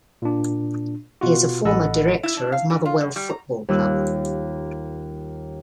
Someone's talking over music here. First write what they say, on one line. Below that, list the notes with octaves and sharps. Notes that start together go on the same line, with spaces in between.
He is a former director of Motherwell Football Club.
A#2 D4
B2 F4 F#4
A1 A4 D#5 F#5 B5
E4
D4
F5
G#2
F4
F#2
G3
A#5
D#2 G3 F4 E6 F#6